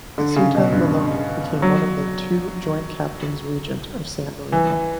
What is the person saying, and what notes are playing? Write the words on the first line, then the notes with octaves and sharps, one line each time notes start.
Assunta Meloni became one of the two Joint Captains Regent of San Marino.
D3
C#3
B2
G2
F#3
E3